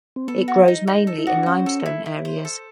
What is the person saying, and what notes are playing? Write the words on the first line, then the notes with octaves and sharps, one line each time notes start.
It grows mainly in limestone areas.
C4
B3 A4
F#4
D#4
D#4
A4
E4
D#4 F#4
D4
C#4 C5
A4
E4
E4
C5
A4